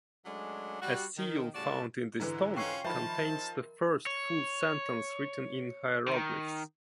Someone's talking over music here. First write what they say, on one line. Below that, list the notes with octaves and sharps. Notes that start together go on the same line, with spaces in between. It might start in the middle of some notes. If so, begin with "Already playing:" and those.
A seal found in this tomb contains the first full sentence written in hieroglyphs.
F#3 G#3 A3 C#4 D4
G3 F#4
D#3
A2 C#3 G3 F#4 D5 A5
G#2 D3 E3
C#4 F4 G5 C#6 C7
D#3 F3 E5 A5 B5
A#4
C#5
D#3